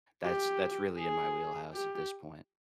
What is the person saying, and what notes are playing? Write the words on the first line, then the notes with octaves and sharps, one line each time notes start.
That's that's really in my wheelhouse at this point.
G4
G#4
G4